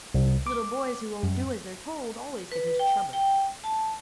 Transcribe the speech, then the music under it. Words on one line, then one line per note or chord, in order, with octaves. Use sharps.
Little boys who won't do as they're told always get into trouble.
C2
D6
F#2
B4
G5
G5
A5